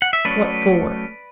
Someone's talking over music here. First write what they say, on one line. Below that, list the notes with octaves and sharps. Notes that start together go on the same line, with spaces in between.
What for?
F#5
E5
F#3 A3 C#4 B4 D5